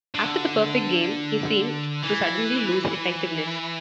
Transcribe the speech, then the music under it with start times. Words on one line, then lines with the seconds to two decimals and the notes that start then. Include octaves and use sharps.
After the perfect game, he seemed to suddenly lose effectiveness.
0.14 D3
2.03 E3